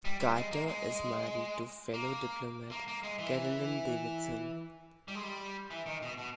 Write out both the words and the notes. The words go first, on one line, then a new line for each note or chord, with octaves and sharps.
Carter is married to fellow diplomat Carolyn Davidson.
G3
G3
G#3
A#3
G#3
A#3
A#3
A#3
G#3
E3
G3
G#3
G3
E3
D#3
B2
B2